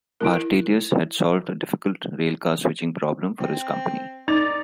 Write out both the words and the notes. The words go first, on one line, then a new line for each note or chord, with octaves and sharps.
Hartelius had solved a difficult railcar switching problem for his company.
E4 A#4
C4
D#4 D5 A6 F7